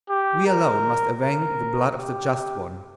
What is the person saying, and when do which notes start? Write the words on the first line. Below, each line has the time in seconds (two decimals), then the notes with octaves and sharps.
We alone must avenge the blood of the just one....
0.09 G4
0.47 A#4
1.22 A#4
1.99 G4